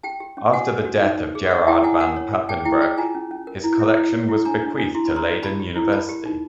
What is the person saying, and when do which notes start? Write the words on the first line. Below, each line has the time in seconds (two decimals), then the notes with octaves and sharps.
After the death of Gerard van Papenbroek his collection was bequeathed to Leiden University.
0.03 G4 G5 A5
0.20 G4
0.37 C#4
0.53 F#4 F#5 G#5
0.69 B4
0.85 F#4
1.01 D#4
1.18 D#4
1.35 G#4
1.51 C#5 E5 F#5
1.67 E4 G5 A5
1.84 E4 F#5 G#5
2.00 A#4 F#5 G#5
2.17 C#5
2.33 G4
2.49 G#4 G5 A5
2.65 E4 G5 A5
2.81 G#4 G5 A5
2.98 F4 G#5 A#5
3.15 C#4
3.31 C#4
3.47 A#4
3.64 E4
3.79 E4
3.96 E4
4.13 C#5
4.29 E4
4.45 D4 G#5 A#5
4.62 D4
4.78 D4
4.95 E4 C6
5.05 B5
5.11 B4
5.16 A#5 C6
5.26 G4
5.43 G4 A5 B5
5.60 G4
5.76 E4
5.92 A#4 A5 B5
6.09 G4
6.26 D#4